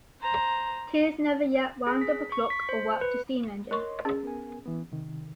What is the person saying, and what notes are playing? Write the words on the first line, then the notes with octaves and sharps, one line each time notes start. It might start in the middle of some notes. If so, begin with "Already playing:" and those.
Tears never yet wound up a clock, or worked a steam engine.
C5 A#5
G#4
B6
C#6
B6
C5
B4
A#4 C#5 D#5 C6 C#6
C#4 G#4
B3 A#4 G#5
E3 B3
C3 D#3